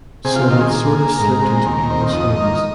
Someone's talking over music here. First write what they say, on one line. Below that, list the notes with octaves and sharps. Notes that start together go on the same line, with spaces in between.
So it sort of slipped into people’s homes.
C3 G#4
F4
D#3 C4 F4
G#4
A#2
A#3
G#2 A#4
G#3 C4
D#2
D#3 C4
F2 D#5
D#3 A#3